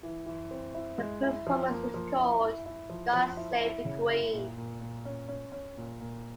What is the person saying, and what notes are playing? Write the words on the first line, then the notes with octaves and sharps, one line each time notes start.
The performance was called God Save the Queen!
E3
E3
C4
E4
G#3
E4
F3
A#3
F3
E4
E4
E4
F3
F3
E4
E4
C#3
E4
A#2
A#2
A#2
C#4
C#4
C#4
A#2
A#2